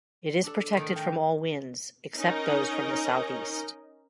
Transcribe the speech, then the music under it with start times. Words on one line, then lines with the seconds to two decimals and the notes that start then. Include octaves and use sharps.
It is protected from all winds, except those from the southeast.
0.44 D4 A4
0.73 A2 D#3
0.96 G5 G#5 A#5
2.17 C#4 D#4 A#4 D#5